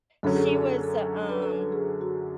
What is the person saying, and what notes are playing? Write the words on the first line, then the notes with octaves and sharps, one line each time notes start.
she was, uh, um
F#2 D3 F#3 C#4 A4
G#4
A4
F#4
A4
B4
A4
G#4
F#4